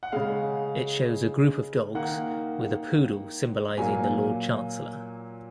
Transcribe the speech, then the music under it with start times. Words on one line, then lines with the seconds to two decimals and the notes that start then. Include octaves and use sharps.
It shows a group of dogs, with a poodle symbolising the Lord Chancellor.
0.03 F#5
0.12 C#3 G#3 F5
1.95 D#3 A#3 F#5
3.77 A#2 F#3 A#3 G#5